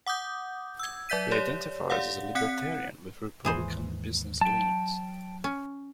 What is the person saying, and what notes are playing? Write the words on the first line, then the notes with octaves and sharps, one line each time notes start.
He identifies as a Libertarian with Republican business leanings.
F#5 D6 D#6 G6
E6 G#6
F#3 D5 E5 G6 B6 D#7
G4 C#5 D5
G4 D5 F5 F#5
C4 F#5 F#6 B6 C#7
D#2 G#2 E3 G#4 C5
F#3 G5 A5
C#4